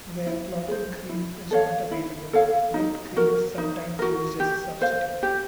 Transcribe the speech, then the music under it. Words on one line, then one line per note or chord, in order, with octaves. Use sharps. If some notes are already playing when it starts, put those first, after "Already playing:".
Where clotted cream is not available, whipped cream is sometimes used as a substitute.
E4
G#4 C5
E4
A4 C#5 F5
E4
A4 C#5 F5
D#4
F#4 A#4
D#4
F#4 A#4
G4
C5 F5
G4